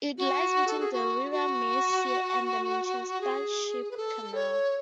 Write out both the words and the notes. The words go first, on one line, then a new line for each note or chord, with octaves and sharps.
It lies between the River Mersey and the Manchester Ship Canal.
F#4
A4
G#4
F#4
F#4
G#4
B4
A4
C#5